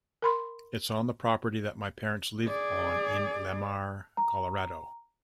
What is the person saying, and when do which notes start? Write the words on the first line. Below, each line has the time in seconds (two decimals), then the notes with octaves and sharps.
Its on the property that my parents live on in Lamar, Colorado.
0.22 A#4 B5 C6
2.46 G#4 D5
4.17 A#5